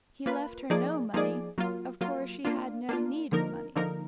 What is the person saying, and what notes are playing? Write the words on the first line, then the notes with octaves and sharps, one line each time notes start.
He left her no money; of course she had no need of money.
A#3 F4 B4
F3 A#3 D#4 G#4 D5
F3 A#3 D#4 G#4 D5
F#3 A#3 F4
F#3 A#3 F4
A#3 D4 F4
A#3 D4 F4
D3 F3 A#3 D#4 A#4
D3 F3 A#3 D#4 A#4